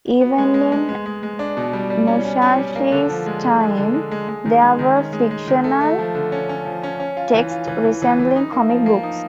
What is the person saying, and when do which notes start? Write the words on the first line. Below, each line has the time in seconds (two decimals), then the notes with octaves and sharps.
Even in Musashi's time there were fictional texts resembling comic books.
0.21 B3
0.38 G#3
0.54 G#3
0.72 G#3
0.89 G#3
1.06 G#3
1.23 G#3
1.39 D4
1.57 B2
1.73 G3
1.90 G3
2.07 C#4
2.25 C#4
2.42 C#4
2.58 G3
2.76 A#3
2.92 D3
3.10 F3
3.26 G#3
3.43 D3
3.60 G#3
3.77 D3
3.94 G#3
4.11 G#3
4.28 G#3
4.45 D#3
4.62 G#3
4.79 D#3
4.96 C#4
5.13 G#3
5.31 G#3
5.47 D#3
5.64 A3
5.81 A3
5.99 F3
6.15 D3
6.32 C#4
6.49 C#4
6.66 F3
6.83 C#4
7.00 C#4
7.17 F4
7.34 E3
7.51 F4
7.67 E3
7.84 E3
8.02 E3
8.19 E3
8.36 D#4
8.52 A#3
8.69 F3
8.86 A#3
9.03 D#4